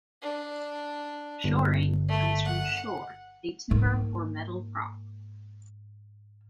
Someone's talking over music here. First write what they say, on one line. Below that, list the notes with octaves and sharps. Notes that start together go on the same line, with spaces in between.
"Shoring" comes from "shore" a timber or metal prop.
D4
G1
A3
F#5
G#2 A#3